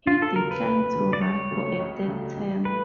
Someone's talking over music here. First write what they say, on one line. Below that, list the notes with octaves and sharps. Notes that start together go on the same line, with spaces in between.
He declined to run for a third term.
F1 F4
A4
D#2 C#3 F#3 A#4
B4
F1
D#2 C#3 F#3
D5
C#2 C#5
C#3 F#3 A3
C#2
C#3 F#3 A3
A1
E3 A3 B4